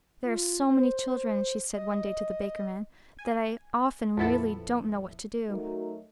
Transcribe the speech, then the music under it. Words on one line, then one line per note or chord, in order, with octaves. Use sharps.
"There are so many children," she said one day to the baker-man, "that I often really do n't know what to do!"
F4
C5
D#5
G#5
A#1 F2 F3 B3 E4 A4
F#3 A3 D#4 F#4 A#4